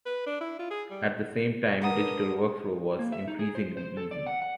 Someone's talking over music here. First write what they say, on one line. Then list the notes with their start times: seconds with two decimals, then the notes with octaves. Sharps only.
At the same time digital workflow was increasingly easy.
0.06 B4
0.27 D4
0.41 E4
0.59 F4
0.71 G#4
0.91 G3
1.82 B3 D4 E4 A#4 F#5 A#5 D#6
2.99 A#3
3.12 E5
3.28 D#4
3.39 G#4
3.55 C5
3.77 C5
3.97 A4
4.11 D5
4.26 F#5
4.42 F#5